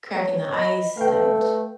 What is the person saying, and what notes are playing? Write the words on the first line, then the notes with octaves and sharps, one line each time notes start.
cracking the ice and
C#5
D#5 B5 A#6
A3 B4 F5 G5
B4